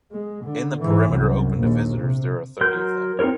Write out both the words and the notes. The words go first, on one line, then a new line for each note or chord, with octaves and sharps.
In the perimeter open to visitors there are thirty of them.
G#3
D3
G#2 E3
C2 F#2
A#1 D#2
C3
F#3 A#4 C6 G6
C4 D#4 F4 A#4 C#5